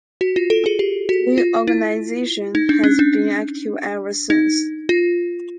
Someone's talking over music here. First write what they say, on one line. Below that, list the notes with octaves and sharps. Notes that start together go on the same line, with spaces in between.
The organisation has been active ever since.
F#4
F4
A4
G#4
G4
F#4
F4
E4
D#4
D4
C#4
D4
D#4
F4